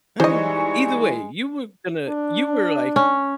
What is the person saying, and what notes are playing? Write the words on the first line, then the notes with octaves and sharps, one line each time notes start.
Oh, either way, you were gonna you were like,
E3 G3 G#3 D#4 C5 D#5 C#6
D4
C#4